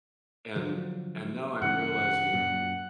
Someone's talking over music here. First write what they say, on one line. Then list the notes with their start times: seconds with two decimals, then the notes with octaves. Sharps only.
And and now I'm realizing,
0.56 D3 F3 F#3
1.62 G2 C#3 E3 F#5
2.33 F#2 A#2